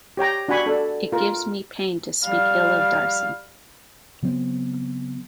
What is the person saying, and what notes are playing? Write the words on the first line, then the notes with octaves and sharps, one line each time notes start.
It gives me pain to speak ill of Darcy.
G4 C#5 G5 A#5
D4 F#4 F#5 G#5 B5 C#6
D4 A4
F4 A#4
G3 F5
C#3 F#3 B3 C4